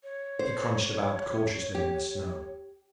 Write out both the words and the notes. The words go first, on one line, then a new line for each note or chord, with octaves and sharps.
He crunched about cautiously in the snow.
C#5
C5
G4